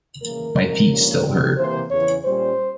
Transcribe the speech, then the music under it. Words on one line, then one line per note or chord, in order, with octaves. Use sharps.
My feet still hurt.
C#3 E3 A#3 A#4
G#2 F3 C4
G2 F3 A#3 C#4
E2 C3 G3
C3 E3 A#3 C5
E2 C#3 E3 C#5
A#2 G3 C#4 C5